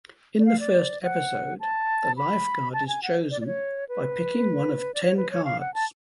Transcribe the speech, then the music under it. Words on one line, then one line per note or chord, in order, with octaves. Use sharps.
In the first episode, the Lifeguard is chosen by picking one of ten cards.
D5
F5
D5
F#5
A5
B5
A5
G#5
F#5
D5
D5
C#5
B4
D5
C#5
B4
C#5
F5
F#5
A5